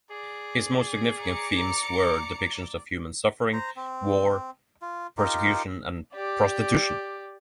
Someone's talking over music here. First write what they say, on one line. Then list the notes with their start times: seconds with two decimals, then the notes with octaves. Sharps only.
His most significant themes were depictions of human suffering, war, persecution and prostitution.
0.10 G#4 D5
1.21 A#5 D6 C#7
3.53 C5 A#5
3.76 C4
4.82 F4
5.18 D#4 F4 G4 A#4
6.12 G4 D5